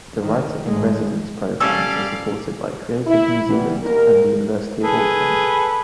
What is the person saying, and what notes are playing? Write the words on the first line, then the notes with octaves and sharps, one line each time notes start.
The writer-in-residence programmes are supported by Creative New Zealand and the University of Auckland.
D#3
G#1 G#3
G3 C#4 A4 D5 F5 E6
E4
E3 G3 B3
D#2 A#4
G#4 A4 B4